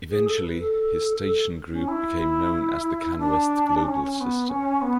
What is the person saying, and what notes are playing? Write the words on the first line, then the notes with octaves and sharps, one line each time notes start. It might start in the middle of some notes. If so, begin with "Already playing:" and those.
Eventually, his station group became known as the Canwest Global System.
G#4
A4
B4
A4
A4
C#4
E4
D4
C#4
C#4
B3
C#4
B3